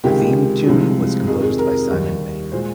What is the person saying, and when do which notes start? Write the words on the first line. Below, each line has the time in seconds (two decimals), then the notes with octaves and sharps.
The theme tune was composed by Simon May.
0.04 C#2 C3 D#3 G#3 G4
0.66 C2 C3 F3 G#3
1.27 F2 C3 D#3 G#4
1.43 G#4
1.59 A#4
1.90 D#2 D#3 G3
2.52 A#2 G#3 C5